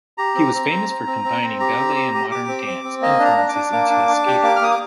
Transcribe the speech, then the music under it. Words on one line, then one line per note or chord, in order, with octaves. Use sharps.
He was famous for combining ballet and modern dance influences into his skating.
G4 A#5
C4
C4
C4
C4
C4
C4
C4
G4 A#5
C4
G4
G4
G4 D6
C4
C4
C4
A#3 D#5
D4
A#5
D4
D6
D4
A#3 D6
D4
D4
G4
A#3 D6
F6
A#3 D#6
D6